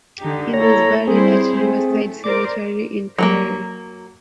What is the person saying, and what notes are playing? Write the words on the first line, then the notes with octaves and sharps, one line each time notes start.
He was buried at Riverside Cemetery in Pierre.
D3 D#4 G4
A#3 E4 A4 C#5 A#5
G3 C4 E4 G#4 C5
A3
A#4 C5 D5 D6
F#3 G3 A#3